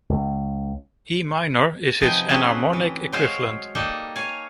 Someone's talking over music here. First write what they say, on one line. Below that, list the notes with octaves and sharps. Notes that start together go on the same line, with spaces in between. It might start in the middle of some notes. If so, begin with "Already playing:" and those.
E minor is its enharmonic equivalent.
C#2
C3 F3 B3 D#4 G5 G#5
A3 C4 C#4 F#4 G#4 B4
E3
F#3 G#3 C5 C#5 F5
G3 A#3 D#4 A4
C#5 F5 G#5